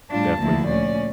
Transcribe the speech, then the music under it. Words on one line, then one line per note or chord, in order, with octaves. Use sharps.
Definitely, man.
A2 G3 D4 F4 A5
D2 D3 F3 A#3 E4
A#2 A3 C#4 D5